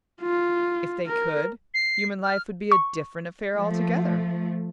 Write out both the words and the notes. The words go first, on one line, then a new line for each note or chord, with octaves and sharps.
If they could, human life would be a different affair altogether.
F4
A#4
C7
F6
C#6
F3 A3